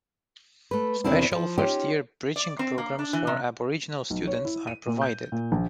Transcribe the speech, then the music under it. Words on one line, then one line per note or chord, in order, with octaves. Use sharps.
Special first-year bridging programs for Aboriginal students are provided.
A3 B4
E2 C3 D#3 C4 D4 E4
F3
C#4 D#4 F4 G4
D5
C4
A#3
D4
E3
C3
B1
C#5
E4
D#7
A#2
G6
A#2
A#1